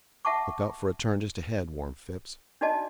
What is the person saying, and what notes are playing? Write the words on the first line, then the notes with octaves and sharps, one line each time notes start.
"Look out for a turn just ahead," warned Phipps.
E5 F#5 A5 C#6 D6
D4 D#4 F#4 D5 D#5 A5